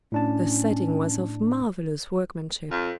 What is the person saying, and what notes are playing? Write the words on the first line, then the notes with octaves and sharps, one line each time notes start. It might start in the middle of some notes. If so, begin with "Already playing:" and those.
The setting was of marvelous workmanship.
A2 C#4 D4 A5
F2